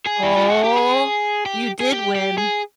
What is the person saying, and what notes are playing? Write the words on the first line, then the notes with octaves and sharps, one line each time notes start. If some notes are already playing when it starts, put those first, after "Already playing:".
Oh! You did win.
G#4
E4
F4
F#4
G4
G#4
G4
G#4
G4
G4
G#4